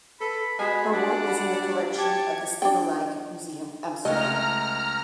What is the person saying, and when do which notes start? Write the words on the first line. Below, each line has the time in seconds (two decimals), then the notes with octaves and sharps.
Her work is in the collection of the Stedelijk Museum Amsterdam.
0.20 A4 B4 B5
0.59 G#3 F#4 C5 G#5 B5
0.92 G3 D4 D5 F#5
1.27 B5
1.98 G4 A5 G#6 C#7
2.62 D4 G5
4.05 C#2 A3 D#5 A#5 F6